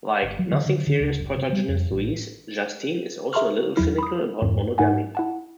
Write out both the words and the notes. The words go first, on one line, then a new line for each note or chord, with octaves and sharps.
Like "Nothing Serious" protagonist Louise, Justine is also a little cynical about monogamy.
G1
F#3
D3
D3
D3
C#2
F#1
C3
G3
F2
A1
G#4 E5 A#5 C6 C#6 F6
E2 F#3 E4 F6
B5 D#6
F2 G#2
G#2 D#4 F#5 G#5
E4 F#5 A5